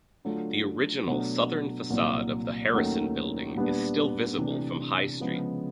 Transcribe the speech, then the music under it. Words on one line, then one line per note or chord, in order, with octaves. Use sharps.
The original southern facade of the Harrison Building is still visible from High Street.
D3 F#3 A3 D4 F4
B2 F#3 A3 D4
C2 A#2 F#3
D#2 D#3 F#3 A3 C#4
A#2 G3 B3 D4
C3 E3 A3 D4
C#3 F3 G#3 B3